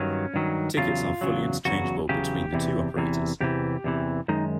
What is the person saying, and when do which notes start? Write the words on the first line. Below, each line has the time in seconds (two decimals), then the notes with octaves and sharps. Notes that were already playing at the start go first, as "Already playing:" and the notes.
Tickets are fully interchangeable between the two operators.
Already playing: G2 D#3 F#3 C#4
0.34 G2 D#3 F#3
0.77 E2 C#3 F#3 F4
1.21 E2 C#3 F#3
1.65 E2 C#3 F#3 F#4
2.09 E2 C#3 F#3 G4
2.53 E2 C3 E3
2.96 E2 C3 E3
3.40 E2 C3 E3 G4
3.84 E2 C3 E3
4.28 F#2 D#3 G#3 D#4